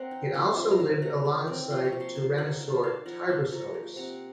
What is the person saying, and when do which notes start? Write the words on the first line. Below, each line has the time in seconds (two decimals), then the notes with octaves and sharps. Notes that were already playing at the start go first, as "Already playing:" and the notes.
It also lived alongside the tyrannosaur "Tarbosaurus".
Already playing: C4 F#5 A#5 C6
0.11 D#4
0.34 F3 A5 C6
0.56 F3 A5 C6
0.71 A#5
0.79 F#3 F5 A5
1.02 A3 F#5 A#5
1.25 D#3
1.47 C4
1.70 F3 A5 C6
1.85 A#5 C#6
1.92 A#3
2.00 A5 C6
2.15 C#3 A5 C6
2.38 D#4 D#5 F#5
2.60 A#3 F5 A5
2.83 D#4 F5 A5
3.06 F3 F#5 A#5
3.28 F3 A5 C6
3.51 F3 A#5 C#6
3.74 A#3
3.96 C3 F#5 A#5